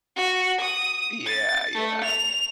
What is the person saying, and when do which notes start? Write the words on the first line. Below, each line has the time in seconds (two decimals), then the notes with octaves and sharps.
Yeah, yeah.
0.16 F#4
0.61 D#6
1.26 A6
1.75 A3
2.04 F7